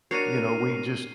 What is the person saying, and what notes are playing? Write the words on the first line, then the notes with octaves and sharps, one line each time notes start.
you know, we just
D4 F#4 A#4 C#5 C7 D#7